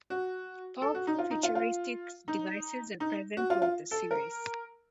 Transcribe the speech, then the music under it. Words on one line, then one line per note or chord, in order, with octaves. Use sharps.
Powerful, futuristic devices are present throughout the series.
F#4
A4
F#4
D#4
F4
D#4
F4
F4
D#4
D#4
F#4
F4
F4
A4
A#4